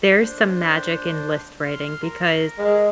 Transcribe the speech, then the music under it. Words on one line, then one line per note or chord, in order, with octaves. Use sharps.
there's some magic in list writing because
D4 C5
C6 F6
A#4
G#3